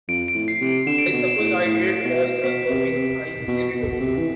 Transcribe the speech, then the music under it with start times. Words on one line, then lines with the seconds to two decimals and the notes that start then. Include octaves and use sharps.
I suppose I did all the jawing — I usually do.
0.08 F2 D7
0.28 D7
0.35 A2
0.48 C7
0.61 C3
0.67 D7
0.87 D3 E7
0.98 D7
1.07 E7
1.13 B2
1.25 E7
1.39 A2
1.45 D7
1.65 A2
2.04 B2
2.43 B2 B6
2.70 C3
2.96 C3
3.48 B2
3.74 B2
3.92 B2
4.00 C3
4.18 E3